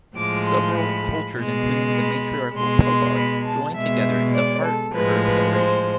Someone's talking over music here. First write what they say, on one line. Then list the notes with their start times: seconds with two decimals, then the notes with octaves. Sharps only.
Several cultures, including the matriarchal Pelbar, join together in the Heart River Federation.
0.17 A2 F3 G#3 D6
0.47 C6
0.77 B5
1.37 B2 G#3
1.97 B5
2.56 B2 G#3 C6
2.85 C6
3.16 B5
3.46 A5
3.75 B2 G#3 E5
4.35 D5
4.65 A4
4.94 A2 F3 G#3 B4
5.25 B4
5.54 C5